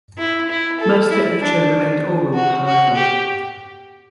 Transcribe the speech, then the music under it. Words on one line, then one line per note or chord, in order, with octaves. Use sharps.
Most literature remained oral, however.
E4
E4
A4
E4
D4
F#4
F#4
G4